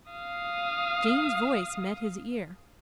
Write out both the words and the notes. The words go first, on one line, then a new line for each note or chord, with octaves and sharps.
Jane's voice met his ear.
F5 D#6